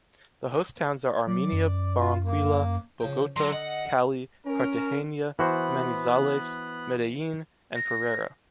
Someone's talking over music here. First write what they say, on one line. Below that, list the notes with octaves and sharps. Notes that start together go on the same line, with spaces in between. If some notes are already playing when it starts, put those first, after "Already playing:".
The host towns are Armenia, Barranquilla, Bogota, Cali, Cartagena, Manizales, Medellín, and Pereira.
F#3 D5
F#2
F4
A#3
C#3 F3 G5
D3 F#3 C6
D#5 F#5
C#4 A#4
E3 B3 F#4 C5 B5 F#6
A#6